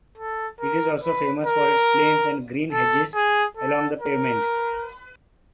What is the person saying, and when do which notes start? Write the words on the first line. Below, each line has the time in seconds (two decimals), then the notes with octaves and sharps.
It is also famous for its planes and green hedges along the pavements.
0.18 A4
0.61 A#4
1.03 B4
1.45 A#4
2.73 A4
3.15 G#4
3.57 A4
4.01 A#4